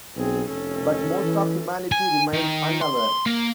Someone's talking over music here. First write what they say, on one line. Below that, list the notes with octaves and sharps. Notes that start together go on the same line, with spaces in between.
But most of humanity remains unaware.
B1 C4 G#4
F1 C#4 A4
E3
G#5
D#3
C6
A#3